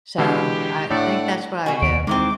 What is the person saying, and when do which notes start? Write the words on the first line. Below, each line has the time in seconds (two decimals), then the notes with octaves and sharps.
So I think that's what I would do,
0.18 B2 D3 E3 G#3 E4 G4 F5
0.91 A2 A3 D4 A4 D5 F#5
1.66 B2 F#4 G#5
1.82 D#2 D7
2.07 D#3 E3 G#3 C4 D6